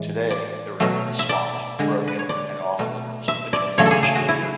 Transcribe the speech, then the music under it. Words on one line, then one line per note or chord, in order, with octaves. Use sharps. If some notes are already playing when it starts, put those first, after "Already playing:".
Today, it remains swamped, broken, and off-limits, adjoining a fishing pier.
Already playing: A2 E3 G#3
D5
B2 F#3 A3
E5
D5
D3 G#3
B4
C#5
D5
B2 A3
E5
D5
C#3 F#3 A3 C#5
A4
G#4
G#4
F#4
E4